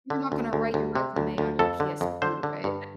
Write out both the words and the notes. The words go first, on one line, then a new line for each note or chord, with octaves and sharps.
You're not gonna write your resume on your PSP, right?
D3
D2
D2
D2
C3
D2
D2
F2 A4
D3
F2
D3 C5
D3
G2